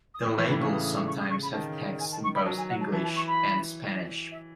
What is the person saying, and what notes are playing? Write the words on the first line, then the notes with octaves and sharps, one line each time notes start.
The labels sometimes have text in both English and Spanish.
D#6
A2 D#6
E3 C#6
E3 B5
C#3 C#6
D#6
D#6
C#6
C#6
D#6
C#6
B5
D#3 A5
G#5
A5
C#6
B5
F#3 A5
G#5
F#5
A5
E3 A5
A5
C#6
B5
E5